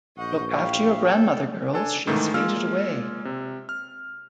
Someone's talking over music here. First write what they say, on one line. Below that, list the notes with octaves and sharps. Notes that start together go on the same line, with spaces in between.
Look after your grandmother, girls; she has fainted away.
A#1 D#5 F#5 C#6 G6
E4 G4 C5 F5
G#3 G#4 A4 G5
D4 A4 G#5
G#2 D#3 E3 G#3 A3
G#3 A#3 F4 E6 F6
C3
F6